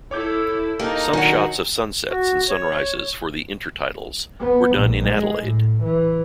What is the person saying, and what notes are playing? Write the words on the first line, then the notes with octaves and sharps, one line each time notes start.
Some shots of sunsets and sunrises for the inter titles were done in Adelaide.
E4 A4 C#5 D6 G6
A#3 D#4 G4 A5 A#5
D#3 F#3 D4 F#4 G#5
F#4
C#5
B3
A#1
G#3
A2
E3